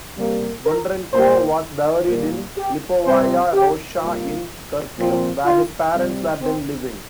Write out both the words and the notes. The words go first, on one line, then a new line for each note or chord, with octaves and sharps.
Bondarenko was buried in Lipovaya Roshcha in Kharkiv, where his parents were then living.
C3 G3 A#3
A#4
A#2 A#3 C5
A#2 G3 A#3 A#4
G4
C3 G3 C4 C5
G4
C3 G3 A#3 F4
A#2 F3 C4
F4
C3 G3 C4
C4